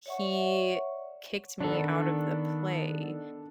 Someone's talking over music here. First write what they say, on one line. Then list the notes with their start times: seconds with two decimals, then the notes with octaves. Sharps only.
…he kicked me out of the play,
0.06 C#5 D5 E5 F#5 C#6
1.60 D#3 B3 D4 A4